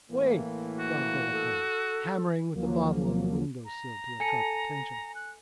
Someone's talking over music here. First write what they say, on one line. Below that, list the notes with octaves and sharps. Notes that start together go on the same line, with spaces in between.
"Wait!" cried Dolokhov, hammering with the bottle on the window sill to attract attention.
A2 E3 A#3
F#4
A4
D#2 F3 F#3 A#3
A#5
A4 G#5 C#7
F#6